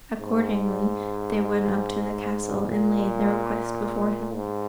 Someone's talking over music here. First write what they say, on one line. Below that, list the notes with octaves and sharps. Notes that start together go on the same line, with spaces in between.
Accordingly they went up to the castle and laid their request before him.
G#2
A#2
G#2